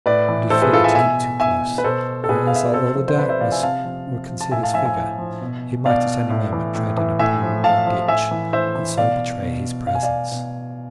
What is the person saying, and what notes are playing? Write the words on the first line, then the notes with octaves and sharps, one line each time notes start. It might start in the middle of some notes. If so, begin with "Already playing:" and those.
But he feared to keep too close, as, although the darkness would conceal his figure, he might at any moment tread in a pool or ditch, and so betray his presence.
A2 B4 D5
E3
A2 A4 C5
G#4 B4
E3 F4 A4
E5 G#5
B2 E5 G#5
B2 E5 G#5
B4
B2 A4 C5
A4
B2 G#4 B4
F5
E5
D5
C3 A4 C5
F3 A4 C5
C5
C3 B4 D5
C5 E5
F3 D5 F5
E5 G#5
C3 F5 A5
F3
C3
F3
A5
A2 E5 G#5
F5 A5
F3 E5 G#5
E5 G#5
A2
F3
B2
B2 D5 F5
A2
E3
A2
E3
A2 E5 G#5
F3
A2 F5 A5
F3
A2 E5 G#5
E3
A2 C5 E5
E3
B2 D5 F5
B2
B2 F5
G#5
D5 F5
B2